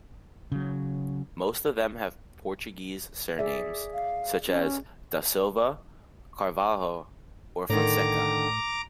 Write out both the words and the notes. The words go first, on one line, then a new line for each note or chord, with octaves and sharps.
Most of them have Portuguese surnames, such as "da Silva", "Carvalho" or "Fonseca".
C#3 F#3
G#4 D5 E5
F5
C#4
A2 D3 D#3 A#5 D6